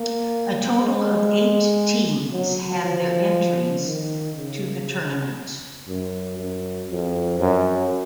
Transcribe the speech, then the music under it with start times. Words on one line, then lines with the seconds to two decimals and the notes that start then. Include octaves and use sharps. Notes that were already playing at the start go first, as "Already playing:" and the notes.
A total of eight teams had their entries to the tournament.
Already playing: A#3
0.79 G#3
2.32 F#3
2.82 F3
3.84 D#3
4.36 C#3
5.87 F#2
6.38 F#2
6.89 F2
7.40 F#2